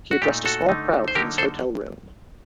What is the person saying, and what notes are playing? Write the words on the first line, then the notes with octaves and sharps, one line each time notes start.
He addressed a small crowd from his hotel room.
F#4
A#2 A3 D#4 G4
F#4 A4
D3 A3 D#4
C5
D3 F#3 A#3 D#4 G4 A#4
A4 C5